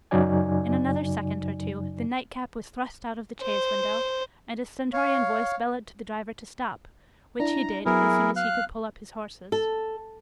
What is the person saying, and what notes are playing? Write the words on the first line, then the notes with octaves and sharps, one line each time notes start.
In another second or two, the nightcap was thrust out of the chaise-window, and a stentorian voice bellowed to the driver to stop: which he did, as soon as he could pull up his horses.
F#2 C#3 F#3 D#4 D5 G#5
C5
C#5 F5
D4 E4 A#5
F#3 B3 E4 G#4 A#4
F5 F#6
A4